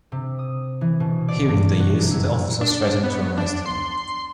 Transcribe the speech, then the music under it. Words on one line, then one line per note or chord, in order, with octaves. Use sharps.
Hearing the youth, the officer threatened to arrest him.
C3
D#6
E3
B2
D5
G2
F#4
F#1
E4
D4
B3
D4
C6